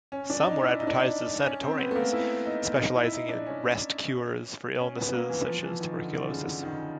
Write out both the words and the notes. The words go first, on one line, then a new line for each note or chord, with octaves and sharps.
Some were advertised as sanatoriums, specializing in rest cures for illnesses such as tuberculosis.
C#4
D4
D#4
E4
D#4
D4
D#4
C#4
C4
B3
A3
A#3
E4
D#4
D#4
E4
D#4
D4
C#4
C#4
B3
A#3
E3
F3
F3
E3
D#3
D3
D3
C#3
D3
D#3